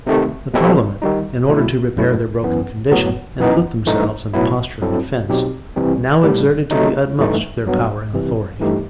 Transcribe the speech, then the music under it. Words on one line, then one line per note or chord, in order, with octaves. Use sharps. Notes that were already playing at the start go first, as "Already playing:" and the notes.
The parliament, in order to repair their broken condition, and put themselves in a posture of defence, now exerted to the utmost their power and authority.
C3 D#3 A3
B2 G3 C4 E4 A4
D#3 G3 D#4
B1 B2 F#3 A3 E4
G1 F#2 F#3 A3 E4
F#2 E3 B3
A2 F#3 B3
F#2 E3 B3 D#4
A1 G2 E3 A3 D#4
B1 A2 F#3 B3 E4
G2 F#3 C4 E4 A4
B2 F#3 C4 D#4 G4
C2 C3 E3 G3 C4
A1 A2 G3
C3 F#3 A3 D#4
G2 E3 A3 D#4
G2 F#3 B3
C2 C3 E3
G2 E3 A3 D#4 G4